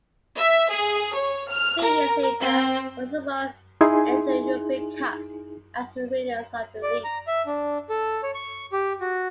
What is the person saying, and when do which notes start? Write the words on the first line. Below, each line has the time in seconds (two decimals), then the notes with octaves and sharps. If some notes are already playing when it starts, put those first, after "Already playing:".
Three years later, Rosenborg entered the European Cup as winners of the league.
0.36 E5
0.71 G#4
1.15 C#5
1.50 F6
1.83 A#4
2.38 C4
3.81 D#4 E4 G#4 G#5 C6
6.83 D5
7.04 A#5
7.27 E5
7.46 D4
7.89 A4
8.23 C#5
8.35 C#6
8.72 G4
9.01 F#4